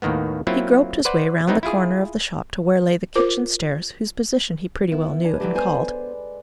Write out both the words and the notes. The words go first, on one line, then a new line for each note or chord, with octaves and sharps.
He groped his way round the corner of the shop to where lay the kitchen stairs, whose position he pretty well knew, and called.
D#2 A2 D#3 A#3 B3
F#3 A#3 C4 E4 F4
B4 C5 D5 F#5
F#3 B3 C4 D#4 E4
E4 F4 G#4
F4 A#4 C5 D6
B3 E4
D4 B4 G#5
E3 F#3 A3 G4
G#3 B3 C5 G#5